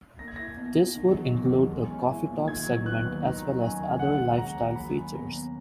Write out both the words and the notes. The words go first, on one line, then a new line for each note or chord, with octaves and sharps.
This would include a "coffee talk" segment as well as other lifestyle features.
A#3 A#6
G#6
E4 A#6
B2
B2
D#3
F#3
E2
E2
G#3
C#4
E4
A#2
D#3 G#6
F#3
B3 F#6
D#2
D#3 A#5
F#3
C#4 G#5
D#2
C#3 F#5
G#3
C#4 A#5
D#2
F#3 B5
C#4
B2 A#5
B2